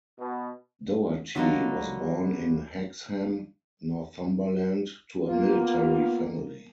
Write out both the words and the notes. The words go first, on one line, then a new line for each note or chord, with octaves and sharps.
Doherty was born in Hexham, Northumberland, to a military family.
B2
D3 F#3 G3 A3 A#3 D#4
A#3 B3 F4